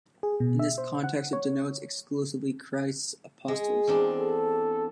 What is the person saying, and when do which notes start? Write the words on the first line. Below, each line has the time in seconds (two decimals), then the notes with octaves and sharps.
In this context it denotes exclusively Christ's apostles.
0.23 G#4
0.40 B2
0.59 E5
0.78 C5
1.04 F#5
1.33 C#5
3.48 G#3
3.88 E2 C4 D4
4.20 A4